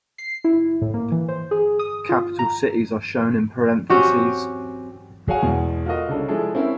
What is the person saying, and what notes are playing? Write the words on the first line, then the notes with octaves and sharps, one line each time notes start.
Capital cities are shown in parentheses.
C7
E4
A2
A#3
E3
C5
G#4
D#6
F4
A#5
C4 C#4 F#4 G4
F#4 G#4 C#5 F5 F#5 G#5
E2 B2 G#3
F4 F#4 A4 A#4 D#5
C2 C#3 D4 A4
F3 G#3 D4 E4 G#4 A4
C4 C#4 E4 A#4